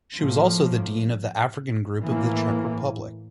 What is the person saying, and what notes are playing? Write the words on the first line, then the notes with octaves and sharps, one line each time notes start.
She was also the Dean of the African Group of the Czech Republic.
A2 F3 A#3
A2 E3 A#3